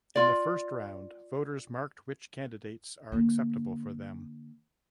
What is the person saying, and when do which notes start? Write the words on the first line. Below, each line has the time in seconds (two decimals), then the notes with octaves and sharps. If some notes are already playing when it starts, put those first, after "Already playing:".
In the first round voters marked which candidates are acceptable for them.
0.15 F4 D5
3.12 D3 A#3